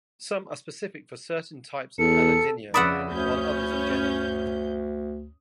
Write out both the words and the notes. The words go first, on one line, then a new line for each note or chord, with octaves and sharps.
Some are specific for certain types of allodynia while others are general.
E2 A4 C#7
F2 C#3 D5 E5 F#5 B5 D#6
D2 G2 C#4 G6